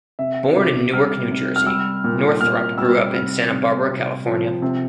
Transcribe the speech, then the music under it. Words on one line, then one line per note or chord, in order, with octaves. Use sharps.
Born in Newark, New Jersey, Northrop grew up in Santa Barbara, California.
C3 E5
C3 D6
G3 F6
C3
F6
G3 E6
A#2
A#2 F6
G3 E6
C3 F6
C3
C3
F3
C3